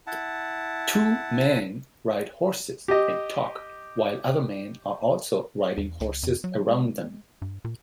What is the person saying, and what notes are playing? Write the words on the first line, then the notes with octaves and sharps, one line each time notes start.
Two men ride horses and talk while other men are also riding horses around them.
E4 F#5 A5
G4 D#5
E2
C#2
F2
F#3
G#3
G2
A#2